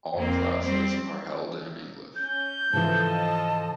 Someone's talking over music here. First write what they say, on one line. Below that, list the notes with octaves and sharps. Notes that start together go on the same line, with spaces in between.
All classes are held in English.
F2 A#3 C4
G3 C4
C#4 G6
G#2 C#3 E3 F3 A4 D#5 A5